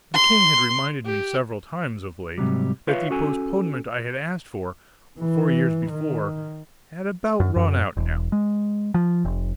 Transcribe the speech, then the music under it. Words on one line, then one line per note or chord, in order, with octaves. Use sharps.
The king had reminded me several times, of late, that the postponement I had asked for, four years before, had about run out now.
C6
G4
G#2 C3 F#3 G3
F4 B4 C#5 E5 F5
C#4 F#4 A4 G#5
E3
D#3
F#2
F#2
E1
G#3
F3
F1